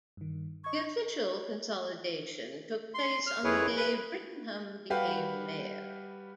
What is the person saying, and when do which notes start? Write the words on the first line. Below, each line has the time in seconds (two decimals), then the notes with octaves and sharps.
The official consolidation took place on the day Brittingham became mayor.
0.17 G2 D#3
0.64 D#5 C#6 G#6
2.94 C6
3.27 F6
3.44 F2 E4 G#4 B4 C#5
3.77 B4
4.90 G3 F#4 G4 B4 F5